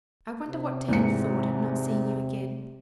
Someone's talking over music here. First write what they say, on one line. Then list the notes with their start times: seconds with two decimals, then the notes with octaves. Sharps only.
I wonder what Dan thought at not seeing you again?
0.49 C3
0.89 E2 G#2 C#7